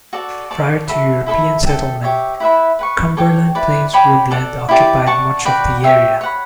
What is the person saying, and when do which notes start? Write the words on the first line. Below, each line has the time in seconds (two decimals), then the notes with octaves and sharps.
Prior to European settlement, Cumberland Plains Woodland occupied much of the area.
0.13 F#4 A4 D5
0.51 D5 A5 C#6
0.89 F#4 A4 E5 B5
1.26 E4 A4 E5 B5
1.65 A4 E5 G5
2.03 G4 C#5 E5
2.40 E4 B4 E5 B5
2.79 B4 F#5 C#6
3.17 A4 C#5 G5 D6
3.55 E4 B4 D5
3.93 C#5 G5 B5 D6
4.31 A4 D5 F#5
4.69 E4 G4 D5
5.07 D5 F#5 A5 C#6
5.45 F#4 B4 D5 G5
5.83 G4 C#5 E5 G5
6.21 C#5 F#5 B5